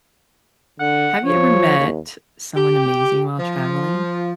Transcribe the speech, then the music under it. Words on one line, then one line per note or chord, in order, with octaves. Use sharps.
Have you ever met someone amazing while traveling?
D3 F#5
F3 C#5
D#2
G4
F3